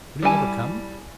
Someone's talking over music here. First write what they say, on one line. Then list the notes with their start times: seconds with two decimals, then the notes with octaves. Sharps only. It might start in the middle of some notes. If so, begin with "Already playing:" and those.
Would it never come!
0.22 G3 E4 G#5 A5